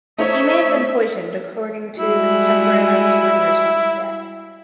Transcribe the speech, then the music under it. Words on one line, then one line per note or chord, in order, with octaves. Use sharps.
He may have been poisoned, according to contemporaneous rumors about his death.
A3 D#4 C5 C#5 E5
G3 G#3 E4 F#4